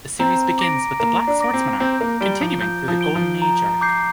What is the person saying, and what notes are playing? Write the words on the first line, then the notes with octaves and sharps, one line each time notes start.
The series begins with the Black Swordsman arc, continuing through the Golden Age arc.
C4 A#5
D6 A#6 D7
A#3 A#5
D4
D6 A#6 D7
C4
C4 G6
A#3
G3 D7 G7
F3
F3 G6
F3
D7 G7
F3
A#5
D6 G6 C7